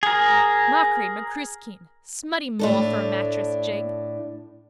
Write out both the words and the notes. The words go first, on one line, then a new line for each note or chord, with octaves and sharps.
Machree, macruiskeen. Smutty Moll for a mattress jig.
G#4 A#4
A2 D4 A4